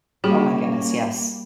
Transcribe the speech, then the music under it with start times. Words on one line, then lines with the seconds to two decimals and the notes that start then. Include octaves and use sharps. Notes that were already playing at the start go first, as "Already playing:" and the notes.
Oh my goodness, yes.
0.24 G3 A#3 C#4 F#4 G#4